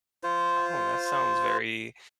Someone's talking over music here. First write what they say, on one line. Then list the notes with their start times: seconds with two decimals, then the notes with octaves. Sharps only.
Oh, that sounds very,
0.23 F4 C5